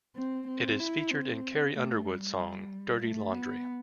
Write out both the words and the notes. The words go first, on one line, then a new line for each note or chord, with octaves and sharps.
It is featured in Carrie Underwood's song, "Dirty Laundry".
C4
C4
E4
C4
A3
G3
A3
B3